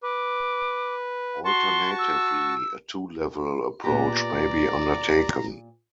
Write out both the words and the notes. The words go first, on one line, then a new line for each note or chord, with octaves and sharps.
Alternatively, a "two-level" approach may be undertaken.
B4 D6
F#4 A5 C6 C#6
E6
A#2 B3 G4 D5 A#5